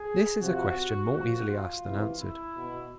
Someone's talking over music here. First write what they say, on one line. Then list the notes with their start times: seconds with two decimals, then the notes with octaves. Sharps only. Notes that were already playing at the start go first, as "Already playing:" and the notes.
This is a question more easily asked than answered.
Already playing: G#4
0.40 C3 F3 F#4
1.11 A#2 F3 F#4
1.47 F4
1.83 C3 E3
2.19 E4
2.54 B2